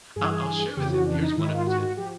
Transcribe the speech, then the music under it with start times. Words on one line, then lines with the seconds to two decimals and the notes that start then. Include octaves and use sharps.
I'll I'll share with ya, here's one other tip,
0.16 G2 E3 G#4
0.31 G#4
0.76 F2 C#3 E3 G4
0.91 F#4
1.06 D4
1.22 D#4
1.36 G#2 D#3 E4
1.52 F4
1.66 F#4
1.82 F#4
1.97 F3 G4